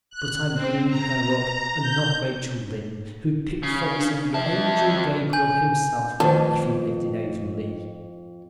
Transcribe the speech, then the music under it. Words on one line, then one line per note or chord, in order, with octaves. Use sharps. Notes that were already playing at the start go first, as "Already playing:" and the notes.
But I'm bringing her up and not Rachel Lynde, who'd pick faults in the Angel Gabriel himself if he lived in Avonlea.
F#6
C4
A#5
G6
C#3
D4
F2 E5 A5
G#5 G6
F2 D#3 A3 F4 B4 C5 D#5 A5